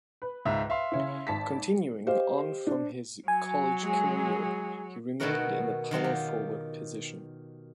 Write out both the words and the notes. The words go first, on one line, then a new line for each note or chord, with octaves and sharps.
Continuing on from his college career, he remained in the power forward position.
B4
C#2 G#2 E5
E5 F5 C6
C#3 C#4 E4
G#1 A5 B6
G4 C5 D#5 F5
D4 C5
F#3 G#5
G#3 G#4
B2 D#3 A3 B3 F#4 A#4
D#3 F#3 G#3 F4
G4